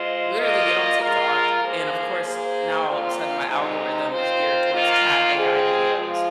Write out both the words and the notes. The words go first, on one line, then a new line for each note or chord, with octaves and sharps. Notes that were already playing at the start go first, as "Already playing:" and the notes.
literally get on TikTok. And, of course, now all of a sudden, my algorithm is geared towards cat AI videos,
Already playing: G#3 F4 C5 D#5
A#2 A#3 F4 A#4 D#5
G#3 F4 A#4
F3 A#3 G#4 C5
A#3 G#4 C5
A#2 F3 C4 F4
C3 G#3 D#4
D#3 C4 F4 C5
D#3 A#3 F4
G#3 C4 F4 G#4 C5
F3 G#3 F4